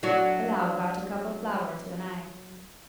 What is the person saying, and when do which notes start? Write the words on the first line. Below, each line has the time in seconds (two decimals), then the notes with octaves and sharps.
Allow about a cup of flour to an egg.
0.03 F#3 D4 F#4